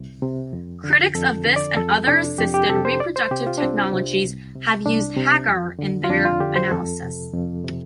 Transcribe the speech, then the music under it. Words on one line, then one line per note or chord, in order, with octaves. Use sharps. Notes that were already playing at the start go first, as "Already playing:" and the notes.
Critics of this and other assisted reproductive technologies have used Hagar in their analysis.
Already playing: C2 C3
C3
F2
D3
F2 A4
D3
D5
F2 A4
C3 D4
F2 G4
G4
C3 A4
C5
C2 D5
C5
C3 G4
F4
D4
C2 C4
C3
C2
C3
C2 D4
C3
F2
D3
F4
F2 D4
F4
D3 G4
C5
F2 A4
C3
F2
C3